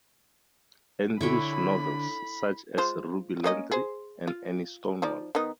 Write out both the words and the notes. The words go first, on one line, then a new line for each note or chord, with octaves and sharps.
Andrews novels, such as Ruby Landry and Annie Stonewall.
D3 E4 C#5 G5 B5
G#3 F4 C5
A#3 C#4 D#5
G#4 C5
F4
F3 D#4 D5
D#3 B3 D#4